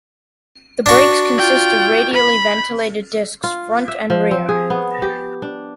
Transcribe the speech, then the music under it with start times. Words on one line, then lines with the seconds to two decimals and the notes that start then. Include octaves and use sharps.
The brakes consist of radially ventilated discs front and rear.
0.86 D4 F#4
1.38 F4 G5
2.14 B5
3.44 F4
3.88 E5
4.10 F3
4.31 C4
4.49 G#4
4.70 B3
5.02 G4
5.42 D4